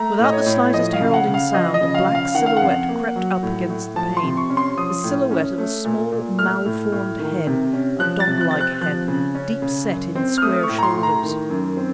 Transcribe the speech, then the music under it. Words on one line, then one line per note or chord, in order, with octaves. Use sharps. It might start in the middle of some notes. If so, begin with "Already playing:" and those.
Without the slightest heralding sound--a black silhouette crept up against the pane... the silhouette of a small, malformed head, a dog-like head, deep-set in square shoulders.
Already playing: A3 A#5
A2 D#5
C#5
A2
F3 D#5
F5
C#3
F#5
C#3
F5
F3 D#5
D#5
C#3
F5
C#3
F5
D#3 F#5
F5
F#5
F2
A#3
F#3
A2
A2
F3 A5
C6
C3
C#6
C#4
C6
F3 D#6
A2
C#4
A3
A#2
A#2
A3 F6
A2
A2
D#3
C3
C#4
F3 F#6
A6
C3
F#6
C4 A6
F#6
F3 F#6
C#3
C#4
C#3
F#2
C4
F6
A3 D#6
C#6
A2
A#5
C6
A2
A#5
D#3
F#2
C4